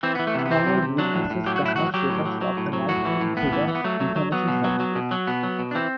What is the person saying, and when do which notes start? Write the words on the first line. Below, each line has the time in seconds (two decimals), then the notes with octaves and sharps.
Howard witnesses the harsh results of the right-wing Freedom Information Services.
0.03 E3 C4
0.15 B3
0.19 E3
0.27 A3
0.35 C3 B3
0.45 B3
0.51 E3 C4
0.66 C3
0.83 C3
0.98 F#3 D4
1.14 A2
1.30 A2
1.46 F#3 G4
1.56 F#4
1.62 A2 E4
1.76 F#3 F#4
1.94 F#3 G4
2.10 A2
2.26 F#3
2.41 F#3
2.57 A2
2.73 F#3
2.89 A2 F#4
3.05 E3
3.21 A2
3.37 A2 B3
3.53 E3
3.68 E3
3.75 B3
3.84 F#3 A3
4.00 F#3
4.16 F#3
4.32 F#3 B3
4.48 B2
4.64 F#3
4.80 F#3
4.95 B2
5.11 F#3
5.27 B2 B3
5.43 F#3
5.59 B2
5.71 D4
5.75 E3 C4